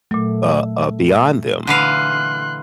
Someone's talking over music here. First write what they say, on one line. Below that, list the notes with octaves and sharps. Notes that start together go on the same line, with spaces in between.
uh uh, beyond them,
A#2 F#3 A3
D3 E3 F5 C6 F#6